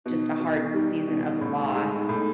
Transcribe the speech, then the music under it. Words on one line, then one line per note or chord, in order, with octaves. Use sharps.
just a hard season of loss,
B2 D#4
B2
G3 D#4
B2 D#4
D#4
A2
G#3
A2